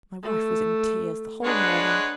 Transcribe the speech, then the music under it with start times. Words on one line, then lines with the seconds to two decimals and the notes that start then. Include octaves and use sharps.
My wife was in tears the whole morning.
0.23 A3
1.44 G#3 D4 B4 C#5 F#5